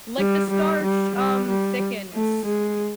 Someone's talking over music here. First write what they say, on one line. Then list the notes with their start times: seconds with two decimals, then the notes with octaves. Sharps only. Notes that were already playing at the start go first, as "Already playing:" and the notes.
Like, the starch, um, thickens.
0.18 G3
0.51 G3
0.83 G3
1.16 G3
1.48 G3
2.13 A3
2.45 G#3